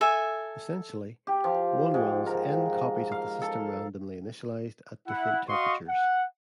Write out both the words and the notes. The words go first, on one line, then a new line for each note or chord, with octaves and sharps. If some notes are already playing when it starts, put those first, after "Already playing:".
Essentially, one runs "N" copies of the system, randomly initialized, at different temperatures.
A4 E5 G#5
G4
F3
G#2
A#4
F5
A4
E4 F#5
F#4 D#5 F5 C6 C#6 D#6
F#5